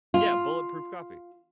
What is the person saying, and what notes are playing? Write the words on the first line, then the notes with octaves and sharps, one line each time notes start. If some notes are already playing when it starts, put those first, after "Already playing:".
Yeah, bulletproof coffee.
F4